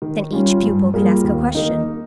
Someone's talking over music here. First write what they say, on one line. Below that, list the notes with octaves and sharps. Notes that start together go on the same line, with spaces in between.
Then each pupil could ask a question.
D#3
G3 C#4 F4
G2
G3 A#3 F4 G#4
D#2
D#3 A#3 D#4